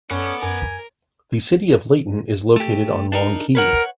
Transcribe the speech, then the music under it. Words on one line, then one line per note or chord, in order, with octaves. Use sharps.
The city of Layton is located on Long Key.
F#2 C#4 A4 B4 D5 F#5
F#2 A#4 G#5
A3 G4
D4 D#4 A#4
A#4 B4 C#5 F#5